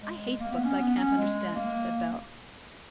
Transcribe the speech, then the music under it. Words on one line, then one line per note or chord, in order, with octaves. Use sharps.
"I hate books I can't understand," said Bell.
G#3
A#3
B3
C#4
B3
C#4
G#3
A#3